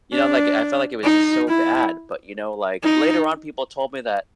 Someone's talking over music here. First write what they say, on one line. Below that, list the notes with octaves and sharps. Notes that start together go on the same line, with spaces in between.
You know, like I felt like it was just so bad. But you know like later on, people told me that,
D4
D#4
E4
D#4